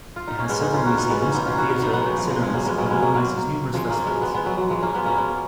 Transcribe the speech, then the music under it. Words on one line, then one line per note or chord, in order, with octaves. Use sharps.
It has several museums, a theater, cinemas, and organizes numerous festivals.
F4
D#4
C#4
G#3 B3
B3 D#4
C#4 F4
D#4 F#4
B3 D#4
G#3 B3
A#3 C#4
B3 D#4
C#4 F4
D#4 F#4
B3 D#4
B3 D#4
B3 D#4
G#3
F#3
F3
F3
F3 G#3
F#3 A#3
G#3 B3
F#3 A#3
G#3 B3 C#4
F#3 A#3
F#3 A#3
F3 G#3
F#3 A#3
G#3 B3
G#3 B3
G#3 B3
F#3
F#3
F3 G#3
F#3 A#3
G#3 B3
A#3 C#4
G#3 B3